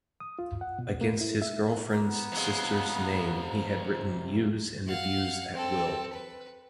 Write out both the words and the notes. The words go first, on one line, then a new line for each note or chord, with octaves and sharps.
Against his girlfriend's sister's name he had written use and abuse at will.
D#6
F4
F#5
B2
A#3
E4
E5
B3 A#5
C3 F#3 G#3 F4
F5 F#5
C4 A4
B4